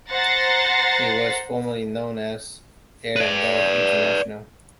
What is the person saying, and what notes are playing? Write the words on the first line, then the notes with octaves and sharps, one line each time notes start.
It was formerly known as Air North International.
C5 F#5 A#5 A6 A#6 C7
B4 D5